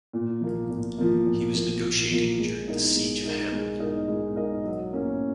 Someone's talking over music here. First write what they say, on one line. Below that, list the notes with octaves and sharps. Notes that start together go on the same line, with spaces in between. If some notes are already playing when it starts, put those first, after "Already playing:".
He was negotiating during the "Siege of Hameln".
A#2
F3 A#3
A#2
F3 A#3
A#2
F3 A#3
A#2
F3 A#3
G#3
D#4 A#4 D#5
G#3
D#4 A#4 D#5
G#3
D#4 A#4 D#5
G#3
D#4 A#4 D#5
F#3
A#3 C#4